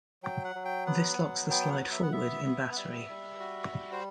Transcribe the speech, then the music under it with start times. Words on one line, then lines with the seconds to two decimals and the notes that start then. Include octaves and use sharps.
This locks the slide forward in battery.
0.23 F#3 G5
0.44 F#5
0.55 F#3
0.65 G5
0.87 B3 F#5
1.19 F#3
1.50 B3 G5
1.72 F#5
1.82 B3
1.92 E5
2.03 F#5
2.12 B3 E5
2.45 B3
2.73 F#5
2.76 G3 E5
3.09 G3
3.40 F#4
3.72 G3
3.92 C5